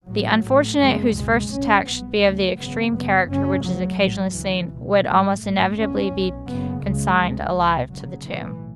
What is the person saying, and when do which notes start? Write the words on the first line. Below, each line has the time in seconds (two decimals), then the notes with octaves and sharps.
The unfortunate whose first attack should be of the extreme character which is occasionally seen, would almost inevitably be consigned alive to the tomb.
0.09 A1 A2 F#3
0.44 A1 A2
0.80 F#1 F#2 C#3 G#3
1.15 C#2 B2 G#3
1.50 B1 A2 C#4
1.86 B1 B2 B3
2.22 D2 C#3 A3
2.57 G#1 F#2 C#3 B3
2.93 F#1 F#2 C#3 B3
3.29 F#1 F#2 C#3 C#4
3.64 D2 C#3 F#3
3.99 A1 G#2
4.35 D2 C#3 E3
4.70 C#2 B2
5.06 A1 G#2 G#3
5.41 A1 G#2 A3
5.77 F#1 E2 C#3 C#4
6.13 B1 B2
6.48 F#1 F#2 C#3 B3
6.83 C#2 C#3 G#3
7.19 D2 C#3
7.55 C#2 B2
7.90 F#1 F#2 C#3 F#3
8.26 B1 A2 E3